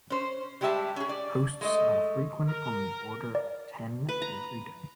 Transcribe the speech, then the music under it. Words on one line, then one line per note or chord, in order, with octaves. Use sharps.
Posts are frequent - on the order of ten every day.
C#4 C5
G3 G#3 G4 G#4 E5 A5
C#4 G#4
D5
G#3 A3 D#5
A#4
D5
B4
A#5